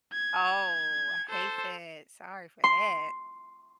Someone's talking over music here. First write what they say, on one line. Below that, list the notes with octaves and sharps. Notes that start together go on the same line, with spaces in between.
Oh, I hate that, sorry for that.
G#6
A4 C5
C6